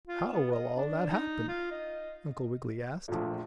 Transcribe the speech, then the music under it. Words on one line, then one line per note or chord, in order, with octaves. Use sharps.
"How will all that happen?" Uncle Wiggily asked.
F4
B3
D#5
D4
D#4
F4
D#5
A#1 A#2 F3 A3